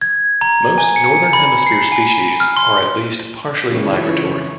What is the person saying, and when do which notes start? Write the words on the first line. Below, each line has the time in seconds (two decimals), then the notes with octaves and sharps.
Most Northern Hemisphere species are at least partially migratory.
0.01 G#6
0.41 A#5
0.78 G#5
0.96 C#7
1.33 B5
1.67 C7
1.92 G#5
2.40 F6
2.57 C6
3.71 C#2 G#2 E3 C4 A#4 C#5
4.04 C#3 E4 F4 B4